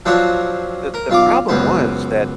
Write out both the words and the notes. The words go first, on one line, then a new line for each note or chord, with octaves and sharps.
the the problem was that
F3 F#3 C4 D4 F4 F#4
A#4
B1 F4 F5 D6
C#2 F#2 B3 C5